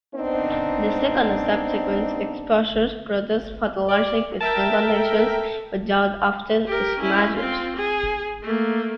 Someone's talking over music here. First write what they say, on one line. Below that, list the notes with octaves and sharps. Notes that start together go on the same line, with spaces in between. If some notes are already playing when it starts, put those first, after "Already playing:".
The second and subsequent exposures produce photoallergic skin conditions which are often eczematous.
B3 C4 D4 D#4 C5
D5
A#4 E5 G5 A5
A4
G4 A#4
C#4 E4
C4 F4
G#4
A3 A#3